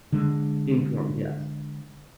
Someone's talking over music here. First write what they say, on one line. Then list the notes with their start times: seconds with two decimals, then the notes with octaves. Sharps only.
Informed, yes.
0.12 D3 G#3